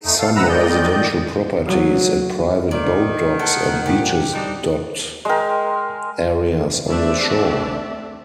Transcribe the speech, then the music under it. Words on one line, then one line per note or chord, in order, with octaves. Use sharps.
Some residential properties and private boat docks and beaches dot areas on the shore.
A3 D#4
A4 F5
F#2 C3 B4 F#5 A#5 E6
F2 A#2 D#3 D5 D#5 G6
F#3
D#3 D5
A4 F#5
A#2 F3 G4
G3 C4 D4 D#4
G#3 A#4 G5 C6
A3 C4 D4 D5 E5